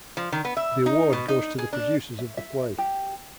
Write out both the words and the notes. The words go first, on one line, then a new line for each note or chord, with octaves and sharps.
The award goes to the producers of the play.
F3
D#3
B3
E5
D#4
B2
D#4
G#4
D4
E5
E5
G4